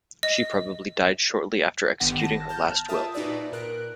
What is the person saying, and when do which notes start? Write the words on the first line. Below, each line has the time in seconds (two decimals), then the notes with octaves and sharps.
She probably died shortly after executing her last will.
0.23 D#5
2.00 G1 D3 D#3 B3 G4 F#5
2.20 A5 A#6
2.49 A5 A#5 F6 G6
2.88 F4 G#4 A#4 E5 A5 D#6
3.14 A#2 D#4 F#4 B4 D5 E5
3.52 A#2 A#4 F#6 D7